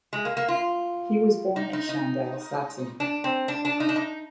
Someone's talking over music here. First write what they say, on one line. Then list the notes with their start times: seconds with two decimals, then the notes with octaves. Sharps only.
He was born at Schandau, Saxony.
0.13 G#3
0.25 A#3
0.37 A#3
0.48 F4
1.56 D#4
1.73 D#4
1.89 D#4
3.00 D4
3.24 C4
3.48 D4
3.65 D4
3.80 D#4
3.89 D4
3.96 D#4